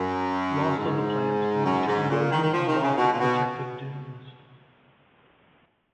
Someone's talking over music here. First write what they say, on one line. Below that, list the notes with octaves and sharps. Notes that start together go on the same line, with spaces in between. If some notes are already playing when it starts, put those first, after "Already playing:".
Loss of the plants leads to erosion and loss of protective dunes.
Already playing: F#2
G#2
F#2
G#2
A#2
D#3
D#3
F3
D#3
C#3
B2
A#2
B2